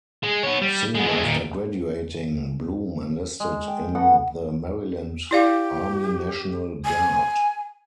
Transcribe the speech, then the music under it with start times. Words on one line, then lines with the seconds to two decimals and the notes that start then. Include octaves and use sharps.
Soon after graduating, Blum enlisted in the Maryland Army National Guard.
0.23 G#3
0.43 B3 C#5
0.61 G3
0.95 G#3 B3
1.07 G#3 A3
1.23 A#2 D#3
3.40 G#3
3.68 G5
3.95 B3 F#4 A4 F#5
5.31 E4 G4 D5 F5
6.85 G#5